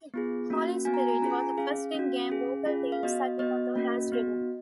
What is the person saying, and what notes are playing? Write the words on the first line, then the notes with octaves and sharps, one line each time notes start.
"Holy Spirit" was the first in-game vocal theme Sakimoto has written.
B3 F4 G#4
A#3 C#4 F#4
B3 F#4 G#5
A#5
G#5
A#5
G#5
C#4 F4 G#4 A#5
G#5
C#4 G#4 F5
C#4 F#4
C#4 G#4
C#4 F4 G#4
F5
B3 F#4 D#5
B3 F#4 D#5
A#3 C#4 F#4
B3 F#4